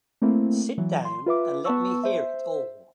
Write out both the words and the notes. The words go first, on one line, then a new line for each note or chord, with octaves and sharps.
Sit down, and let me hear it all.
A3 A#3 C4 E4
E3 F#3
C6
F4 B4 E5 D6
B3 B4 A5 C#6 E6
C5 E5